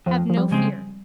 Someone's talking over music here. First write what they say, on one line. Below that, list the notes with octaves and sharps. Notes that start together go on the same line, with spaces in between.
Have no fear.
F2 F3
F3
G3
C#3 G#3 C4